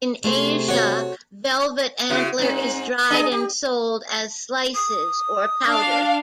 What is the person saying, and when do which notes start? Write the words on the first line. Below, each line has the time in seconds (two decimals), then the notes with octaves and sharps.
In Asia velvet antler is dried and sold as slices or powdered.
0.24 C3 A3 G#4 C5
0.68 F#4 C#5
2.10 C#3 E4 F#4
2.39 G#2 C4
3.10 D4 G#4 D#5
3.32 G4
4.75 D#6
5.66 D4 F5